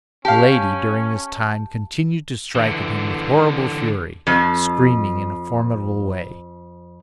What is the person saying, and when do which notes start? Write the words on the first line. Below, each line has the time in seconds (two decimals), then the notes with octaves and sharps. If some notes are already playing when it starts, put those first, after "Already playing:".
Milady during this time continued to strike at him with horrible fury, screaming in a formidable way.
0.25 C#4 G4 F5 A5
2.55 D3 E3
4.27 F2 F3